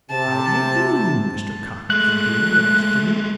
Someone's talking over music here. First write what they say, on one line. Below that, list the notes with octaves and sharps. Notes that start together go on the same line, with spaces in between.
"How do you do, Mr. Cock A. Doodle?" asked Jimmie.
C3 A5
G#3 A3 F#6